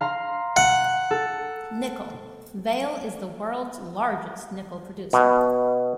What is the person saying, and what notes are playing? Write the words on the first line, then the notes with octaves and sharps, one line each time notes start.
Nickel: Vale is the world's largest nickel producer.
F5 A#5 C6
F#5
A4
B2